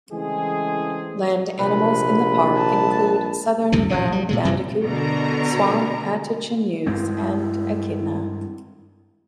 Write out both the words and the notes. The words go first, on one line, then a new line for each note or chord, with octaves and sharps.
Land animals in the park include southern brown bandicoot, swamp antechinuse and echidna.
C#3 E3 G#3 A3 C4 G#4
A#1 C3 B4
A5
C#2 G2 C3 E3
D#1 A1 F#2 C#3
G3
A#2 C#3 G#3
F#2 C3 F#3 G3
B2 D3 A#4 A#5
G2 G#3 C4 E4